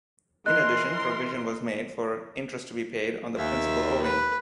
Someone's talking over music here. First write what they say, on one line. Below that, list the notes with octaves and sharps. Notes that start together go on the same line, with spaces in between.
In addition provision was made for interest to be paid on the principal owing.
E3 A#4 D#5 C6 F#6
D#2 E5
B4